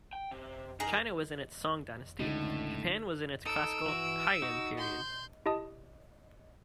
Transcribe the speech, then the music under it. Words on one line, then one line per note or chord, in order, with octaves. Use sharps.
China was in its Song dynasty, Japan was in its classical Heian period.
G5
C3
E3 D#4 G#4 A#4
C#2 A2 D3 D#4
D#4 A4 E6 D7
E3 F#4
D#4 F#4
C6 G6
E4 G4 D#5 A5 D#6